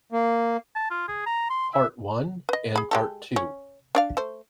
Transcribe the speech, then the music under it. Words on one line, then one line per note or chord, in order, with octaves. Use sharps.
Part One and Part Two.
A#3
A5
F4
G#4
A#5
C6
E5
B4 D#5
G#4 B5
G#3 G4 A4
C#4
D4 D5 F5
A3 C5